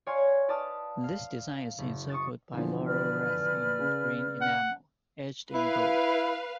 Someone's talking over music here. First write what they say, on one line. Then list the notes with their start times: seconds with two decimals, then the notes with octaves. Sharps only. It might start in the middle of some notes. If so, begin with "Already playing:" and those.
This design is encircled by a laurel wreath in green enamel, edged in gold.
0.06 C#5 D5 F5 G#5 C6
0.48 B4 D5 A5 D6 D#6 F6
1.04 F5
1.78 F#1
2.10 C#6 D#6 A6
2.53 E2 D3 F3
2.86 B4 D5 F6
3.79 C#3
4.41 F#5
5.54 E4 B4 F5